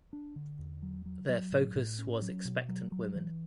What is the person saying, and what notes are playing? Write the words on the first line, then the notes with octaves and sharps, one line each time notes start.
Their focus was expectant women.
D4
D3
E2
F#3
F#3
F#3
A2
A2
C#4
F#3
B2
F#3
F#3
E3